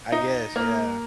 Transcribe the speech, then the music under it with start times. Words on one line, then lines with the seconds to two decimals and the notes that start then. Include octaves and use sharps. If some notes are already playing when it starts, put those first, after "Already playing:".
I guess. Yeah.
0.12 D#4
0.56 A#3